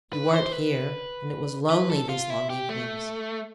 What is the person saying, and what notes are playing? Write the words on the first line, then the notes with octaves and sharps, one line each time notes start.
'You weren't here, and it was lonely these long evenings.
B4
C5
B4
B4
A4
F4
E4
G4
A3